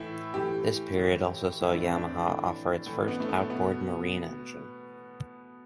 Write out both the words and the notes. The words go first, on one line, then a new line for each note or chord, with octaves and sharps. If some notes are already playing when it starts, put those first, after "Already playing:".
This period also saw Yamaha offer its first outboard marine engine.
Already playing: A2 E3 E4
A2 E3 G4
A2 E3
A2 E3 E4
D4
C4
D4
A2 E3
A2 E3
B3
A3
B3
B2 B3